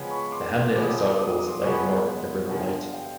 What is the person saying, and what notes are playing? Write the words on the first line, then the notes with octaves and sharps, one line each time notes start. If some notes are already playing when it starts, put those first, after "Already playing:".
The hamlet of Saltcoats lies north of the River Mite.
Already playing: C#3 F3 G#3 B3
B5 C#6
C6 D6
C6 D6
C#3 F3 G#3 B3 D6
D#6
D6
D#6
D6
D#6
D6
D#6
D6
D#6
C6 D6
C#3 F3 G#3 B3 B5 C#6
G2 D3 F3 F#5 G#5
F5 G5